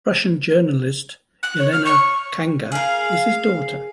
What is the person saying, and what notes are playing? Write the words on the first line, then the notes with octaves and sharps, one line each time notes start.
Russian journalist Yelena Khanga is his daughter.
F#6
C#5
F6
C#6
G#4 A#4 F5